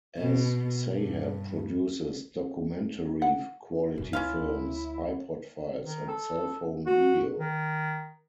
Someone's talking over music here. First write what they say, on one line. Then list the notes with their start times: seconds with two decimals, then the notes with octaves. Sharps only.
As-Sahab produces documentary-quality films, iPod files and cellphone video.
0.19 B2
0.89 G2
3.22 F#5
3.98 F#2 A3
4.13 D2 C#4 E4 F4 F5
5.82 D#3
6.08 A4
6.86 F#4
7.39 D#3